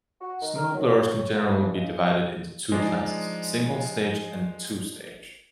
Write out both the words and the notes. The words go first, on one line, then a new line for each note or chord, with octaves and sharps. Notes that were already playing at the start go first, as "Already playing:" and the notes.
Snow blowers can generally be divided into two classes: single-stage and two-stage.
F#4
D#3
A#4
F#3
C#5
A#3
E3
C#2
F3 G#3 D4 D#4